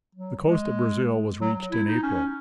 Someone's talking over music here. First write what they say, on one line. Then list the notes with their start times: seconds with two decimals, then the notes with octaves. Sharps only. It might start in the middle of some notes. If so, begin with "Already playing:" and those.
The coast of Brazil was reached in April.
0.15 F#3
0.46 G#3
1.41 F#3
1.72 E4
1.88 D#4
2.03 C#4